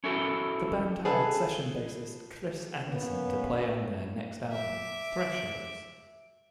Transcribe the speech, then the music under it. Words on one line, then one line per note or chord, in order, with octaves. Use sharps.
The band hired session bassist Chris Anderson to play on their next album, "Thresholds".
C#4 E4 F#4 A4 A#4
G#4 A4 B4
A#3 B3 C#4 B4 C#5
E5 D6